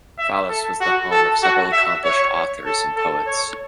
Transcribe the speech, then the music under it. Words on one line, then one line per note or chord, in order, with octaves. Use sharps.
Fallis was the home of several accomplished authors and poets.
E5
A4
F#4
A4
F#4
E5
C#5
A4
A4
C#5